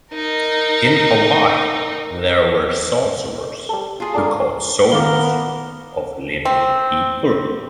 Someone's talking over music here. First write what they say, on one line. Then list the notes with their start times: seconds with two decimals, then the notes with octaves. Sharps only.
In Hawaii there were sorcerers who caught souls of living people.
0.14 D#4 A#4
3.69 G3 A4
4.00 F4 G#4
4.14 D3 A#4 D5 A5
4.92 D#3 B3 A#4 F5 D6 G7
6.45 C4